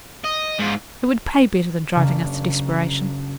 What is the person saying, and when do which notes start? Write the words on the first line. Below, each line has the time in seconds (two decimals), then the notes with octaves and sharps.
It would pay better than driving us to desperation.
0.24 D#5
0.59 G#2 F4
1.96 F#1 C#3 D4 A#4 A#5